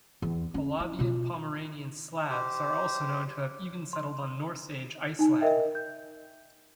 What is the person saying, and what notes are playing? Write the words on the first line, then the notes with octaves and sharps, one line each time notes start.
Polabian-Pomeranian Slavs are also known to have even settled on Norse age Iceland.
E2
C#4
E4
B2 F4
G4 C5
C6
D#4 G#5
A#4 D#5 E5 G5
G6